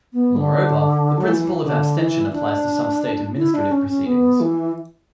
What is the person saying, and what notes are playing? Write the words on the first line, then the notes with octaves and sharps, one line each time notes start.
Moreover, the principle of abstention applies to some state administrative proceedings.
B3
D3
F#3
E3
D3
E3
D4
E4
D4
C#4
C#4
B3
E3